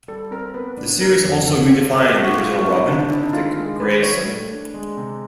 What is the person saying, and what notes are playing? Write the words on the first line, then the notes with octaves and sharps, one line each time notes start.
The series also redefined the original Robin, Dick Grayson.
G3 A4
C4 A#4
B3 B4
D4
G3 A#4
F2
D4 A4
F4
A3 G#4
G4
C4 F#4
F4
A#3 F4
F#4
C#4 F4
D#4
C4 D4
D4
D4 E4
D#4
D#3 F4
G#3
D#3 B4
G3 C#5
A3
D4
G#3
C3